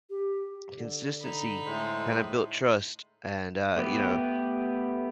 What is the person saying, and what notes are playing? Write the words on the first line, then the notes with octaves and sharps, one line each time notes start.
consistency kinda built trust and, uh, you know,
G4
D3
D#4 B5
A2 G#3 C5
A3 B3 G4 B4